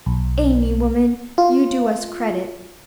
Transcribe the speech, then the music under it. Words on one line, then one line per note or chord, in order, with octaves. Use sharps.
'Amy, woman, you do us credit!
B1
F4